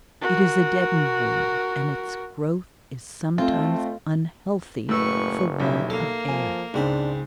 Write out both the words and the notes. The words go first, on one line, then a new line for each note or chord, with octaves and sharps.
It is a deadened world, and its growth is sometimes unhealthy for want of air.
F#4 A#4
F2 A3 C4 F4
F#1 A2 B4 C#6 E6
B1 G3 C#5 E5
A#3 A4
F3 G#5
C#2 G#2 C4 D4 B5